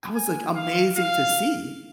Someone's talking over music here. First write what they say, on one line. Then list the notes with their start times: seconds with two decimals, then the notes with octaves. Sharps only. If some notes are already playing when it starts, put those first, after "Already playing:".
That was, like, amazing to see.
0.15 G#5
0.56 F5
0.97 F5